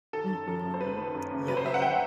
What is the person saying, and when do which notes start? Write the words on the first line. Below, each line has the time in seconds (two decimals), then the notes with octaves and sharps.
Mhm. Yum.
0.13 D#3 A4
0.31 F#2
0.47 F#2 A4
0.64 F#1
0.74 C5
0.81 F#1 B4
0.97 D#3
1.15 F#2
1.31 F#1
1.48 F#3 B4
1.57 C5
1.65 F#3 E5
1.74 F#5
1.82 G5